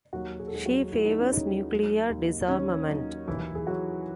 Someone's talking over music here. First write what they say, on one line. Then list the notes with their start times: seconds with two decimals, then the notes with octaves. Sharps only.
She favours nuclear disarmament.
0.13 D#2 F#3 F#4
0.39 G#4
0.47 A4
0.53 D#2 G#3 G#4
0.66 F#3 F#4
0.92 D#2 E4
1.05 D#4
1.20 C#4
1.32 D#2 D#4
1.70 F#3
2.09 D#2
2.48 D#3 C#4
2.88 F#3 D#4
3.27 D#2 E3 E4
3.55 G#4
3.67 D#2 F#3 F#4